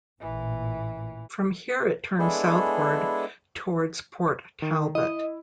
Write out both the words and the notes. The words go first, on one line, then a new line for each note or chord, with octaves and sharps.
From here it turns southward towards Port Talbot.
A1 A#2 E3
G#3 B3 D4 E4 G#4 A4
D#3
E4 D#5